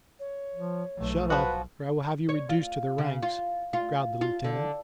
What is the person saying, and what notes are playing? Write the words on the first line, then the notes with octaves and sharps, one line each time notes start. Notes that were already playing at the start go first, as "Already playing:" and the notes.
"Shut up, or I will have you reduced to the ranks," growled the Lieutenant.
C#5
F3
B1 A3
F3 F#4 B4
C#5
F4
C#3
F4
F4
F4
D3